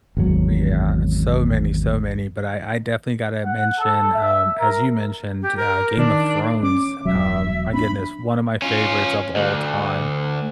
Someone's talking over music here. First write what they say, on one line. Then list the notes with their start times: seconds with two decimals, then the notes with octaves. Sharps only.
Ooh yeah it's so many, so many, but I I definitely gotta mention, um, as you mentioned, uh, Game of Thrones, um, my goodness, one of my favorites of all time.
0.17 G#1 E2 F#3
3.44 F#5
3.78 A4
4.14 E5
4.58 A#4
5.42 G4
5.57 A#4
5.98 D#3 D4
6.63 C#4 D6
7.05 E1 F#3 E5
7.74 C4 D4 B5
8.62 C#4 F4
9.36 D2